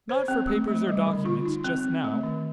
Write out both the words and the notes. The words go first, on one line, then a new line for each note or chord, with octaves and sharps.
Not for papers or documents--just now.
C5
C4
A3
A3
G3
D3
F4
D#4
C4
C4
A3
D#3